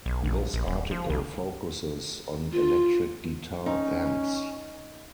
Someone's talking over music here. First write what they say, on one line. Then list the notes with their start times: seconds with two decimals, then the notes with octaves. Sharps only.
This article focuses on electric guitar amps.
0.06 B1
0.24 A#1
0.54 A#1
0.67 D#1
0.91 F3
1.10 C2
2.53 F4
3.66 C#4 D#4